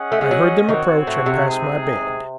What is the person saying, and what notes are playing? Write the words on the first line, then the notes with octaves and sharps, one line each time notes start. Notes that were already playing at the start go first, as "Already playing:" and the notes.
I heard them approach and pass my bed.
Already playing: C#4 G#4 D#5 F#5
A3
G#3
F#3
D#3 C4 F#4 C#5 F#5
A2
C3
G#3 C4 D#4 G#4